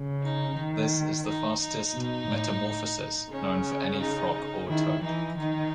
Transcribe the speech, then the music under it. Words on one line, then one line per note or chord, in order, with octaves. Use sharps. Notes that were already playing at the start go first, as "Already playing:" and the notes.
This is the fastest metamorphosis known for any frog or toad.
Already playing: C#3
D#4
D#3
D#4
D#4
B2
A2
C#3 C#4
D#4
D#3 E4
E3 D#4
D#3 D#4